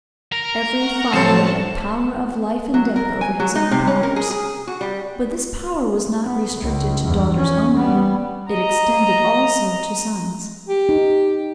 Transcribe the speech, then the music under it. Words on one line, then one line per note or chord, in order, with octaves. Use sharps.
Every father had power of life and death over his own daughters: but this power was not restricted to daughters only; it extended also to sons.
A#4
F#5 A#5 C#6
A2 F3 A3 C4 C#4 A4 A5
F#3
A#4
G#5
F#3
D#4
C3
C#4
A#4
G#4
G#4
F#4
G3
B3
C#2
E2 G2
C#4
G3 B3
D#5 A#5
G4
D#4